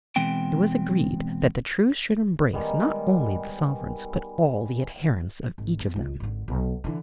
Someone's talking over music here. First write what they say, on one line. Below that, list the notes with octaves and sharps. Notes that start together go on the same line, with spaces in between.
It was agreed that the truce should embrace not only the sovereigns, but all the adherents of each of them.
B2 E3 G#3 C4 G5
D#3 G3 G#3 B3
G#1
E2
C#2
G#1 D3
B1
D3 E3